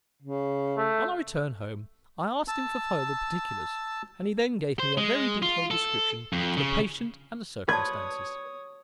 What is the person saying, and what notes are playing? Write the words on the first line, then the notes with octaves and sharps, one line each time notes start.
On our return home I asked him for further particulars, and he then gave me a very detailed description of the patient and the circumstances.
C#3
A3
A5 E6
C5
G#3
F4
A4
F2
C#3
F#4 B4 C#5 D5 A5 D#6 G#6